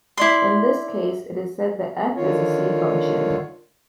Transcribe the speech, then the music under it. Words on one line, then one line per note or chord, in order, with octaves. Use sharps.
In this case, it is said that "f" is a C function.
E4 D5 C6
D3 D#3 F4 C#5